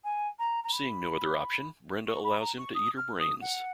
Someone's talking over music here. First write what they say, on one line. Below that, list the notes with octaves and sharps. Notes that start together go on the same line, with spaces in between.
Seeing no other option, Brenda allows him to eat her brains.
G#5
A#5
A#5
B5
C#6
B5
A#5
C#6
D#6
F6
D#6
F#5